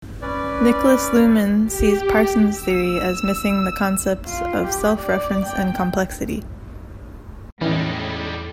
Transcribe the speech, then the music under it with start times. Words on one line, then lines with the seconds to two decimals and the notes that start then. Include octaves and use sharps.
Niklas Luhmann sees Parsons’ theory as missing the concepts of self-reference and complexity.
0.22 C#4 B4 D5
1.62 G4
2.52 E6
4.26 F4
4.64 G4
4.96 D5
5.45 G5
7.61 E2 A2 G3 G#3 C#4 D#4 A4